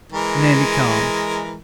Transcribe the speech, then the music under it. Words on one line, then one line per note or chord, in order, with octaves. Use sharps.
Nearly calm.
E3 G#3 A#4